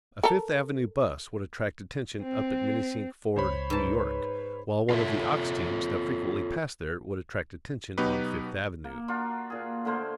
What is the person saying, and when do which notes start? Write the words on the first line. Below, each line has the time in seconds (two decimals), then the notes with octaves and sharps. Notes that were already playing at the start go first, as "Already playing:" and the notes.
A Fifth Avenue bus would attract attention up at Minisink Ford, New York, while one of the ox teams that frequently pass there would attract attention on Fifth Avenue.
0.23 A4 A#4
2.22 C4
3.36 C#2 C5 C#5 B5
3.70 G#2 B4 A5
4.90 F4 A4 A#4 C#5 E5
7.98 B2 F#3 B3 D#4 G4 B4
8.84 A#3
9.08 D4 F4 F#4 A#4
9.50 A#2 G#4
9.85 D3 A3 A#3 C5